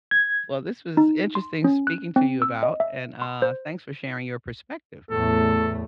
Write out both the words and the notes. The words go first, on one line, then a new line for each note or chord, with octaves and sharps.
Well, this was interesting speaking to you about and, uh, thanks for sharing your perspective.
G#6
D#4
C6
C#4
F#6
C4
E6
D#5
E5
C6
C5
E2 A2 A3 A4